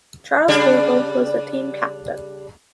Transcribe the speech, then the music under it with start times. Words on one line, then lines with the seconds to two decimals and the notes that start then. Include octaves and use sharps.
Charles Nagle was the team captain.
0.48 C#3 G3 D4